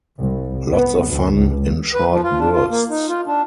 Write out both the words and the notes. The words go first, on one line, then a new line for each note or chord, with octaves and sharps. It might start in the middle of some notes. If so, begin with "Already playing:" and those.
Lots of fun - in short bursts.
C2
B3
D2
C#2
B4
F3
F4
D4
F4
A#3
D#4
F4
D4